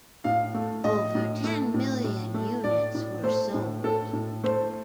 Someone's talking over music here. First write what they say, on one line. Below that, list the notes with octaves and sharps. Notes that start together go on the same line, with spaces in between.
Over ten million units were sold.
A2 F5
A3
A2 D#5
A2
A3
A2
A2
A3
A2 D5
A2
A3 C5
A2
A2 A4
A2
A3 C5